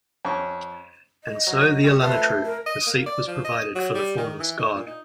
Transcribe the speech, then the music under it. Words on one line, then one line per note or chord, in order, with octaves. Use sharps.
And so the Elunetru, the seat was provided for the Formless God.
F2 C#4 C#6
D#5
F#3
G3 C#6
F2 A3 B4 C6
A#4
D#5
A#3
D5
F3
D#5
F#3
G3
D#3
E3
D#4
A#2
D#4